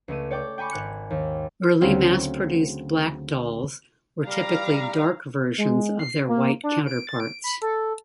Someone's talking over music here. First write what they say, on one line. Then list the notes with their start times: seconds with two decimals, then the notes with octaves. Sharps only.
Early mass-produced black dolls were typically dark versions of their white counterparts.
0.08 C#2 A3 D#7
0.30 C#5 D5 G5 D6
0.58 G5 G#5 B5 C#6 D6
0.71 G#1 F#6 C#7
1.10 D#2
1.81 D2 C#3 F#3 C4 F5
4.26 G3 F5 A#5
5.58 G#3
5.99 C7
6.28 A#3
6.64 D4
6.86 D7
7.07 A6
7.20 D7
7.44 B5
7.62 A4